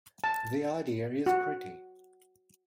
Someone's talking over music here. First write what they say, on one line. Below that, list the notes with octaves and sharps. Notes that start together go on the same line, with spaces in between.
The idea is pretty.
A5
F#4